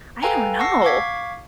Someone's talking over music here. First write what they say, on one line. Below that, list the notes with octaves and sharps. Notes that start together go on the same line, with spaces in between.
I don't know,
A4 B4 F5 G5 G#5 A#5
F#5 A5 C#6 E6 A#6 C7
F5 C#6 D6 G#6 B6 C7